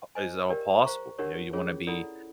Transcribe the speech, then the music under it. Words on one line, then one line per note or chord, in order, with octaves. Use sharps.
at as all possible. You know, you wanna be
C5 D#5 G#5
G4 A#4 D5 G5
C5 F5 A#5 C#6
D4 G4 A#4 C#5 F#5
C#4 F4 G#4 C#5
E4 A4 D5 F#5 B5